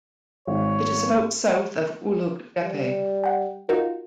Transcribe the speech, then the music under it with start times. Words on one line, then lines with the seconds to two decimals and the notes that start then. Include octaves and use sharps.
It is about south of Ulug Depe.
0.47 G#1 C#5
2.60 G3
3.24 F#5 G5
3.69 D#4 F4 F#4 A#4